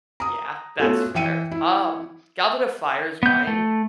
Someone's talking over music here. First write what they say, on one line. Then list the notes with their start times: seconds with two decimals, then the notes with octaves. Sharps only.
Yeah, that's fair. Um, Goblet of Fire is mine.
0.20 A#5 D#6
0.80 A3 B3 C#4 F4 F#4 A4
1.15 E3 E5 G5 C#7 D#7
1.51 E4
3.23 B3 G6
3.47 A3